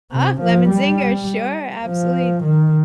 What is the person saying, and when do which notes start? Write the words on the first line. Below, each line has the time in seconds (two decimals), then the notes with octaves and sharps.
Ah, lemon zinger, sure, absolutely.
0.12 C3
0.41 F3
0.69 G3
1.86 F3
2.43 D#3